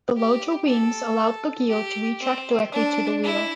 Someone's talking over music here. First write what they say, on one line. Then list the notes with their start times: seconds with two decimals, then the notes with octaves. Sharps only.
The larger wings allowed the gear to retract directly to the rear.
0.16 G4
0.67 A4
1.69 G4
2.21 C4
2.72 D4
3.23 E4